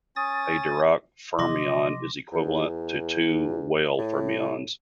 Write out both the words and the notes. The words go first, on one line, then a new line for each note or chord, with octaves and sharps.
A Dirac fermion is equivalent to two Weyl fermions.
C#4 D#6 A6
C3 F3 F#3 D#5 C6 D6 A#6
E2
A2